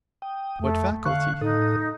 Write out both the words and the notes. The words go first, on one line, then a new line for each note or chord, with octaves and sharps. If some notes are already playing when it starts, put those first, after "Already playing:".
What faculty?
G5 D#6
F2 A3
D3 F5 C#6 F#6
A2 D#4 A4 D#6